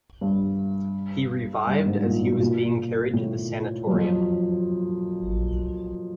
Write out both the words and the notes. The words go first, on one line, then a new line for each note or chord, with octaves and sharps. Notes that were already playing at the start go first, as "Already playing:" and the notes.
He revived as he was being carried to the sanatorium.
G2
G2
G#2
A#2
B2
A#2
A2
F#2
F2
F#2